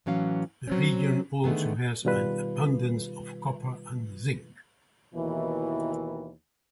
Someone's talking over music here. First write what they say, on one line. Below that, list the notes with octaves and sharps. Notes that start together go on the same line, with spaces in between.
The region also has an abundance of copper and zinc.
A2 E3 F#3 C#4 F5
F#3 C4 C#4
D3 D#3 A3 B3 G#4
B2 D#3 G3 F4 B4
D#2 B2 D#3 E3